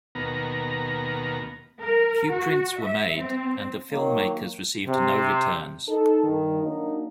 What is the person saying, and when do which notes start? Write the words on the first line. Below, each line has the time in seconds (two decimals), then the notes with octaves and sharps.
Few prints were made and the film-makers received no returns.
0.15 D#2 B2 B3 A#4 A#5
1.80 A#4
2.30 F#4
2.81 E5
3.18 C4
3.91 D#3 F#3 A#3
4.86 C3
5.88 D#4 A4
6.24 G2 D#3
6.63 F#3 A#3 D4 D#4